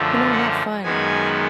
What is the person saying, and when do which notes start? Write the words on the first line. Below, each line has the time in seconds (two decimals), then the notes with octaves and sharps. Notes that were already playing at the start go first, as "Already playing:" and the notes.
you know, and have fun."
Already playing: F#2 D3 F3 A3
0.32 F#5
0.83 F#2 D#3 G#3 B3 G#5